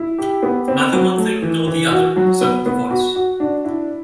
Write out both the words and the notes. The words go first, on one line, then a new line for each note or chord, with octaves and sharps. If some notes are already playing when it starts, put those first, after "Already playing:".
"Neither one thing nor the other," said the Voice.
Already playing: E4
G4
B3
C4
F#3
A3
E3
E3
F#4
F#3
B3
B3
F#4
F#4
D4
E4